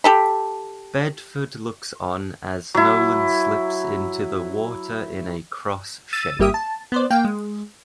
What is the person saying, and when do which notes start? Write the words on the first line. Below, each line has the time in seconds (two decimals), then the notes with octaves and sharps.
Bedford looks on as Nolan slips into the water in a cross shape.
0.04 G4 A4 B5
2.75 F#3 E4
6.13 E6 A6 D#7
6.39 G#1 G3 A#3 G4 E5 D#6
6.54 A5
6.92 B3 C5 D5
7.10 A#3 F5 G5
7.25 G#3